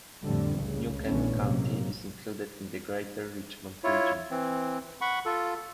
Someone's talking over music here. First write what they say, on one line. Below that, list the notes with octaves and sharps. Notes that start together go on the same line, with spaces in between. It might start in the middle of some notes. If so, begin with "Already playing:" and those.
New Kent County is included in the Greater Richmond Region.
F2 A2 D3 G3
C#2 C#3
A#1 D3 E3 A3 B3 C#4
G#2 C3 F#3 A#3
E4 F4 C#5
E3 C4
F#5 B5 C#6
F4 A4